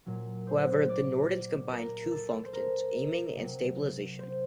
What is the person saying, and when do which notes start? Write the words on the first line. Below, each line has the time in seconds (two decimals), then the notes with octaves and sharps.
However, the Norden combined two functions, aiming and stabilization.
0.06 A#2 F#3
0.47 C5
0.89 D5
1.71 A#4
2.12 A4
2.44 C5
2.53 A#4
3.36 C3 F#3
4.19 C5